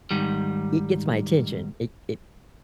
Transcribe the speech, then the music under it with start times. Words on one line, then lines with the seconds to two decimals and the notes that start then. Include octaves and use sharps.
it gets my attention. It it
0.11 G#2 D#3 G3